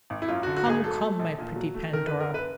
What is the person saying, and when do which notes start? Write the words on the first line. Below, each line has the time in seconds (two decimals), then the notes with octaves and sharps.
Come, come, my pretty Pandora!
0.10 G#1
0.22 E4
0.28 F#2 F4
0.43 D3 F#4
0.57 F#4
0.66 G#1 G#4
0.84 F#3 A4
1.02 A3
1.20 A#1
1.39 A#2
1.56 F#3
1.74 A3
1.93 D#3 A#4
2.07 F#1 B4
2.20 A#4
2.29 F#1
2.34 B4